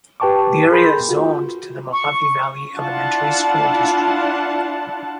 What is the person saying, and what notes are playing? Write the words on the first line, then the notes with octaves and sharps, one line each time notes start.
The area is zoned to the Mohave Valley Elementary School District.
G4 B4 G5 A5 C#6 D6
G#4 A#4 B5 C6 G6
F4 F#4
C#6
D4 E4 F4 F#5 A5